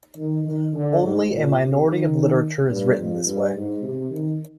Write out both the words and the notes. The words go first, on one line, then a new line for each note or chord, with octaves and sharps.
Only a minority of literature is written this way.
D#3
D#3
D3
G#2
A#2
C3
D#3
G2
F2
G2
G#2
C3
D#3